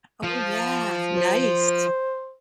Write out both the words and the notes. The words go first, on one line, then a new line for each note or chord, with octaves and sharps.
oh yeah, nice.
F3
C5